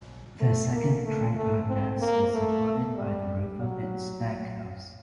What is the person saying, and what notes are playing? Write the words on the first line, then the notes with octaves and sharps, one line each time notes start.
The second tripod mast is supported by the roof of its deckhouse.
A3
A#3
A3
A3
C4
A#3
A3
G3
F#3